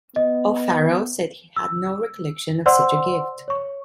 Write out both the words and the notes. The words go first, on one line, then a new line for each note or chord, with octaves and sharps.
O'Farrell said he had no recollection of such a gift.
B3 D#5
E6
C5 D5 F#5 C6 E6
C#5 C#6